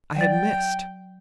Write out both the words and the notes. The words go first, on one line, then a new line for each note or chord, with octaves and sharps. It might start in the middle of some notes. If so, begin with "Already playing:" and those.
I had missed!
F#3 D5 G5 A6